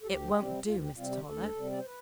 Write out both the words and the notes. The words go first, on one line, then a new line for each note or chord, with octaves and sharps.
"It won't do, Mr. Toller!"
A4
D2 G4
C3 G3 C4
D2 F4
G4
C3 G3 C4 F4
G4
D2 A4
C3 G3 C4
D5
C5
B4